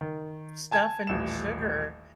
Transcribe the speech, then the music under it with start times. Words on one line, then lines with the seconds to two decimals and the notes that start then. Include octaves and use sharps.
stuff and sugar.
0.01 D#3
0.71 G#5 A5 G#6
1.07 D#1 A1 E7